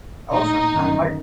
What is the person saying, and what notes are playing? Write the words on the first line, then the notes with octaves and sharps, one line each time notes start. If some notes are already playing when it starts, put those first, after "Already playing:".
I wasn't uh, like
A#1 A2 D#4
G1 F#2 D#3